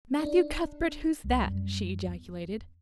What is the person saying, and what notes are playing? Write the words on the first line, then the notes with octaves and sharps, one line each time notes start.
"Matthew Cuthbert, who's that?" she ejaculated.
D4 D#4
C2
F#2 G3
E2